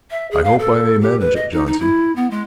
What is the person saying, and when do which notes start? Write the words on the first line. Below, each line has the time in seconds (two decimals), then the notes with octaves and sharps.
"I hope I may manage it, Johnson."
0.11 E5
0.31 G#4
0.44 F5
0.58 A4
1.01 G4
1.19 B4
1.36 D#5
1.52 D#4
1.66 D#4
1.80 E4
2.15 B3
2.30 G#3